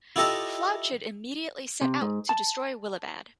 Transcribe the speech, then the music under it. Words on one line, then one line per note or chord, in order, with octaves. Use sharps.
Flaochad immediately set out to destroy Willibad.
E4 F4 G4 A4 D#5 E5
C3
G#2
A5